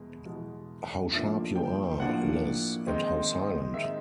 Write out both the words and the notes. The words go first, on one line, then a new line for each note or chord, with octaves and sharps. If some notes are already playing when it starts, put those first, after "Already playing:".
How sharp you are, Liz, and how silent!
Already playing: E2 B2 G#3
E2 B2 G#3
A2 F3 A#3 D4 E5
G5
A2 F3 A#3 D4 F#5
D#3 G#3 C4 D#4
D#3 G#3 C4 D#4 E5